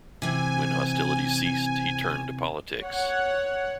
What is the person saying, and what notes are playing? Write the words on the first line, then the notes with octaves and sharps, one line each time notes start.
When hostilities ceased he turned to politics.
C3 E3 C4 G#5
C#5 F#5